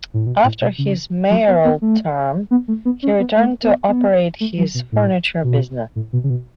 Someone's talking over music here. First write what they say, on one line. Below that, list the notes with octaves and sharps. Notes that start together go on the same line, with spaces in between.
After his mayoral term, he returned to operate his furniture business.
A2
B2
A2
B2
C#3
F#3
B3
B3
A3
B3
A3
B3
C#4
B3
A3
B3
B3
A3
F#3
B2
A2
B2
A2
B2
C#3
B2